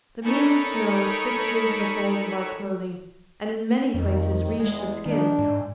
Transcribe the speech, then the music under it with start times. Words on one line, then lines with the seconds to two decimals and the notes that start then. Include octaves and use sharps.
The mealy snow sifted into the folds of our clothing and in many places reached the skin.
0.24 D#4 A4 A#4 C#5 G#5 B5
3.94 F2 D#3
4.60 E2 G#3
5.06 D#3 D4
5.39 G#2